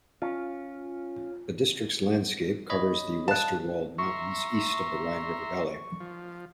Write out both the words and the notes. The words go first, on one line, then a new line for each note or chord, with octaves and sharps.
The districts landscape covers the Westerwald mountains, east of the Rhine river valley.
C#4 F4
C#5 D#5 B5
F5 A5 F#6
E5 A#5 C6 C#6
F3